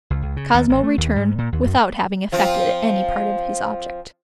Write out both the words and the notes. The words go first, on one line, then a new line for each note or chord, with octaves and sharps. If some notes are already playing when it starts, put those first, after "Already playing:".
Cosmo returned without having effected any part of his object.
C#2
C#2
C#3
D#2
A1
A3
D#2
G#2
A#2
D#2
F#2
F3 C4 F4